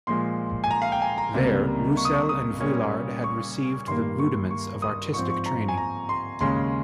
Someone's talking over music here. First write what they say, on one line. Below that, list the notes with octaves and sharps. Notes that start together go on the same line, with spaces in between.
There, Roussel and Vuillard received the rudiments of artistic training.
A#2 F3 G#3 C6
G#5
A#5
F5
G5
G#5
A#5
C#2 C3 G3 A#3
C#6
D#6
C#6
D#6
A#2 G3 A#3 C#4
C#6
G2 D#3 G3 A#3 C6
C#6
C#6
D#6
G#2 F3 C4 C#6
C#6
A#5
G#5
A#5
C6
D#2 C#3 G#3 C#4 C6